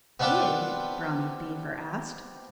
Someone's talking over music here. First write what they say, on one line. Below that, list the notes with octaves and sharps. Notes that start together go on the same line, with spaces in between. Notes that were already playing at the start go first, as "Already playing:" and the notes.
"Pig?" Brownie Beaver asked.
B3 C4 D4 F4 G4 B4